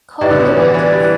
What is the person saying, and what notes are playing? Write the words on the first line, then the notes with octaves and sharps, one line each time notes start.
Call the waiters!
A2 E4 G4 B4 D5
D3
B2
E3
E3 E4 B4 D5
G3